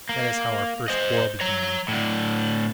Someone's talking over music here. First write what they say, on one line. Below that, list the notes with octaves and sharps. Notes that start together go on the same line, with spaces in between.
That is how our first quarrel began.
A#3
C5 D#5
C#5 A#5
A2 D3